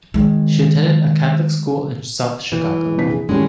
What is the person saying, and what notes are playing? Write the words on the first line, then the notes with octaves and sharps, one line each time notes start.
She attended a Catholic school in South Chicago.
D#3 G#3
E3
G#3
A#1 C3 B6
G#4
A2 D#3 G3 G#3 C#4